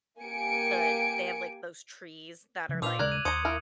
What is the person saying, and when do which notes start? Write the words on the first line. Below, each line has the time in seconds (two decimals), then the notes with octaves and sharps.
the they have, like, those trees that are, like
0.20 A#3 G4 G#5 C#7 D7
2.69 C#3 F3
2.82 A#2 F4 B4 C5 D6 E6 F7
2.99 D#1 C#3 G#3 A#4 D5 F#6 G#6 F#7
3.12 D#7
3.25 D#2 C5 A#5 D#6 G#6 C#7
3.45 E4 F4 A#4